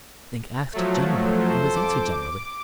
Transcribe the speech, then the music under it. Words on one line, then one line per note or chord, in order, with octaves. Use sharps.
Link asked generally, and was answered generally.
F3 F#3 A3
F2 A4 C5
D6